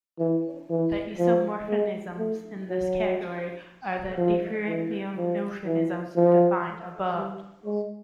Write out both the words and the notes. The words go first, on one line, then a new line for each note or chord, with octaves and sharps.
The isomorphisms in this category are the diffeomorphisms defined above.
E3
E3
F3
G#3
A3
F#3
F3
E3
F3
E3
F3
G3
G#3